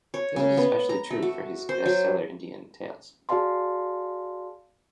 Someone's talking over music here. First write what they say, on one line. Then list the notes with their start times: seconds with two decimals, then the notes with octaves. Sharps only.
This was especially true for his bestseller, Indian Tales.
0.14 C#5
0.36 C#3
0.57 B3
0.89 A#5
1.10 A3
1.22 F#4
1.69 C5
1.86 F#3
3.29 F#4 G#4 D5 F5 A5 C6